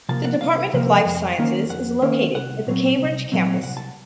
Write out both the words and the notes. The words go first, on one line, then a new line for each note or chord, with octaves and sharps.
The Department of Life Sciences is located at the Cambridge campus.
C3 F3 A#3 A5
F#5
C2 F5
C3 F3 A#3
F2
D#3 A#3 C#4
F2 F#5
D#3 A#3 C#4
C2 F#5
A#2 F#3 C4
C2
A#2 F#3 C4
C2 F#5
A5